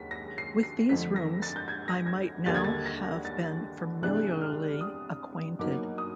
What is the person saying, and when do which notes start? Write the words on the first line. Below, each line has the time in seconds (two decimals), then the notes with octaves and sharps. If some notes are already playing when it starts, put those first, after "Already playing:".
With these rooms I might now have been familiarly acquainted!
Already playing: D#2 C#3 F#3 B6
0.11 A#6
0.38 C7
0.63 C7
0.89 F2 D3 F3 A3 B6
1.16 A#6
1.42 A6
1.56 G6
1.68 G#6
1.88 A#6
2.06 G#6
2.46 D#2 D3 G3 A#3 D4 A6
2.54 G#6
2.64 A6
2.86 A#6
3.25 A6
4.02 C3 E3 G#3 B3 D4 F#6
4.41 F6
4.81 D#6
5.59 B2 F#3 A#3 D#4 D6
5.98 D#6